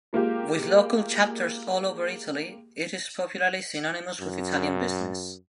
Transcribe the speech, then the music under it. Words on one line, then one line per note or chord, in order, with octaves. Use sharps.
With local chapters all over Italy, it is popularly synonymous with Italian business.
G#3 A#3 F4 G4
F#2